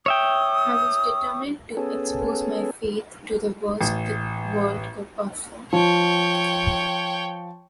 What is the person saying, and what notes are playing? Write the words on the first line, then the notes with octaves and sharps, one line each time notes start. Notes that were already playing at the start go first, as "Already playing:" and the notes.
I was determined to expose my faith to the worst the world could offer.
C#5 E5 G5 D#6
B3 C#4 G#4 A4
A1
F3 C#5 G5